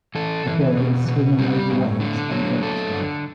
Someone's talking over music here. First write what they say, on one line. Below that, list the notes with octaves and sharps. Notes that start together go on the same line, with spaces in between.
A girl is swinging over waves on a rope swing.
E3 A4
E3
B2
B2
G3 G4
A2
D3
F#3
A3 A4
D3